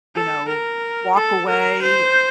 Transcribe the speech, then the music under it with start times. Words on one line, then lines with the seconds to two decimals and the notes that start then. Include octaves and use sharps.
you know, walk away,"
0.15 A4
0.48 A#4
1.15 A4
1.48 A#4
1.82 C5